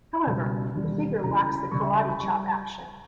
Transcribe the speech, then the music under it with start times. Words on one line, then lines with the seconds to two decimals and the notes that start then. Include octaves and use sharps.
However, the figure lacks the karate chop action.
0.27 C#2 B2 G3
0.74 E1 D#2 D#3 G3
1.24 C#2 C#3 E3 A#5
1.39 A#5
1.55 B5
1.72 C#2 C#3 G3 C#6
1.83 E5
1.96 E5
2.08 B5
2.20 G3 C#6